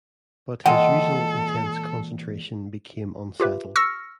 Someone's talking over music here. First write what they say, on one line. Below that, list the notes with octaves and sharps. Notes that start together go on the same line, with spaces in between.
But his usual intense concentration became unsettled.
A#2 E3 G#3 A4 F#5 G5
F4 G4 B4 E5
C#6 E6 F6 A#6 C#7